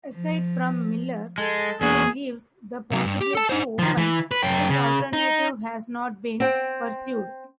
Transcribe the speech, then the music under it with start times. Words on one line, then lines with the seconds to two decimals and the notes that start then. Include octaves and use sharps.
Aside from Miller, who leaves the possibility open, this alternative has not been pursued.
0.14 F3
1.38 G#3 A4
1.81 E2 A#3 F#4 G#4
2.91 C3 F#3
3.04 G2
3.21 G4
3.35 A4 A5
3.49 D#4 C5
3.79 D#3 F3
3.97 E3
4.31 B4
4.43 F#2 G5
4.69 C#3
5.13 D#4
6.40 C4 G5